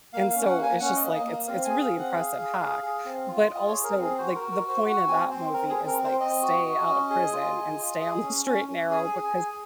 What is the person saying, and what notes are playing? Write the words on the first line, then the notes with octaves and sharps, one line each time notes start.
and so it's just like, it's it's a really impressive hack, but also, like, the point of that movie is like stay out of prison and stay on the straight and narrow because
A#3 F5
C#4 F5
F#5
A#3
G#5
C#4 F#5
D#5
A#3
D#5
A#3
C4 F5
G#5
G#4
F5
C4
F#5
G#4 F5
G#4
G#4
G#4
C4
F4
F4 D#5
G#4 C#5
A#4
C4
G#4
F#4 C5
F#4 A#4
A#4
F#4 C5
F#4 F#5
C4 G#5
C4 C5
C4 A#4
G#4
C4
A#4
C4
C5
C4 D#5
F#4
F#4
C#4
G#4
F4
G#4
F4
G#4
C#4
C#4
C#4
G#4 G#5
G#4
G#5
G#4